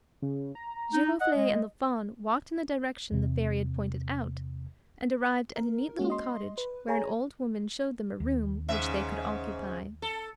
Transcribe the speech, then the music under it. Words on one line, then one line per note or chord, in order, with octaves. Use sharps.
Giroflee and the Fawn walked in the direction the Fairy had pointed out, and arrived at a neat little cottage where an old woman showed them a room which they could occupy.
C#3
A#5
D#4
D#5 F#5
G#3
E2 C3
A#4
G#3 A#3 C#4 F#4
D#5 C6
B4
G#4 C#5 G#5 A#5
D#2
G#2 C#3 E5
A4